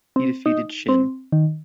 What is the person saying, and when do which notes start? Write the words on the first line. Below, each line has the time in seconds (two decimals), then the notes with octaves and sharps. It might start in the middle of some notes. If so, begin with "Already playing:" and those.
He defeated Shinn.
0.16 C4
0.46 D#4
0.89 C4
1.32 D#3